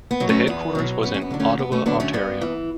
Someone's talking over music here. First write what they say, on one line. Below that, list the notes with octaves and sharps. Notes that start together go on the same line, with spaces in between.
The headquarters was in Ottawa, Ontario.
B3
B2 F#3
A3 C#4
E2 B3
B2 F#3
F#2 B3
C#4
B3
D3 F#3 D4
A3 C#4
F#2 B3
A3 C#4
D3 F#3 B3 D4
A3 C#4
G2 B3
E3